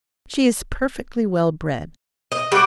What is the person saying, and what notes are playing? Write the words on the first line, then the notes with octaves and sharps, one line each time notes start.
She is perfectly well-bred.
D#5
G3 F#4 F#5 D6